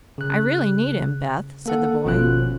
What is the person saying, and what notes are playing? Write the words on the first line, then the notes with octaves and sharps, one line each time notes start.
"I really need him, Beth," said the boy.
C#3 F#6
A#3 A4 F#5
G#1 B2 F3 C#4 F4 F#6